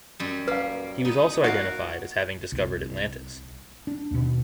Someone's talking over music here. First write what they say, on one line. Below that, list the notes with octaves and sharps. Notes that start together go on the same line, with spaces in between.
He was also identified as having discovered Atlantis.
F#2 G3
A#3 B4 F5
B3 D#4
F#3 F#4 A#4 F5
C2
D4
D#2 B2